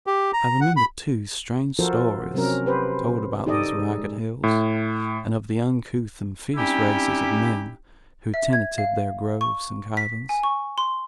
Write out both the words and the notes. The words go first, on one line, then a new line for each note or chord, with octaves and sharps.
I remembered, too, strange stories told about these Ragged Hills, and of the uncouth and fierce races of men who tenanted their groves and caverns.
G4
A#5
F#5
B5
F3 F4 F#4 A4 A#4 C5
C3 F#3 C4 C#4 A#4
G4 B4 C5
D#4 G4 A4 D5 D#5
G#3
A2
G3 C4 C#4 D#4 E4 G4
E5
G#6
F5
C#6
B6
G#5
C#6
C6